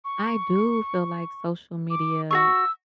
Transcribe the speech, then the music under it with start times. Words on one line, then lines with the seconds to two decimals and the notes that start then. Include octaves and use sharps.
I do feel like social media
0.05 C#6
1.90 D6
2.31 F#4 G#4 C#6 E6